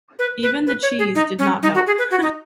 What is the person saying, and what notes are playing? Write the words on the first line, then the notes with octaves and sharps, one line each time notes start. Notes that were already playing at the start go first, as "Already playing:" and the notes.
Even the cheese did not help.
B4
B4
B4
C#5
G#4
D#4
C#4
D#4
F#4
G#4
B4
F#4
D#4